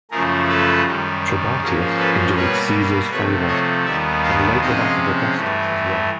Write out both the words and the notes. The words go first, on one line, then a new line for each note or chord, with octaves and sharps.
Trebatius enjoyed Caesar's favor, and later that of Augustus as well.
F#2 C#3 F3 A3 G#4 A#4
A4 B4
F#2 D#3 G3
G#2 F3 A#3 C#4 G#4 A#4
A4 B4
B2 G3 A#3 B4 C#5
C3 F3 A3 B4 C#5
C#5 D#5
D#2 D#3 G3 B3 D5 E5
D#5 F5
C3 F3 G#3 C#4 D#5 F5
G2 E3 A3